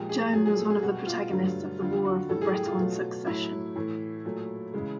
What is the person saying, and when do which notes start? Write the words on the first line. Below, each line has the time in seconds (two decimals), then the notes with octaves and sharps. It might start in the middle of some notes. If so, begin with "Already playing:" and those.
Joan was one of the protagonists of the War of the Breton Succession.
Already playing: A#2 F3 G#3 G4
0.09 G#4
0.33 A#2 F#3 A3 G#4
0.45 G#4
0.58 A4
0.70 G#4
0.82 B2 G3 F#4
1.06 F4
1.31 G2 D3 F#3 A3
1.80 F2 D3 G3 F4
2.05 F#4
2.29 A2 E3 G3 A4
2.42 G#4
2.53 G4
2.65 F4
2.78 B2 F#3 A3
3.27 A2 F#3 A3 E4
3.76 A2 E3 A3
4.25 A#2 F#3 A3
4.73 C#3 E3 G#3